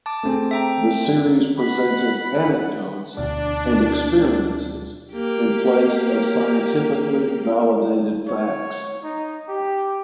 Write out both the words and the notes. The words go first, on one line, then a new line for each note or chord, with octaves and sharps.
The series presented anecdotes and experiences in place of scientifically validated facts.
A5 D6
A3 C4 G#4
E5 G5 A#5
F#5 B5
D2 B2 D4 D5
A#3 G4
C#5
D#4
G4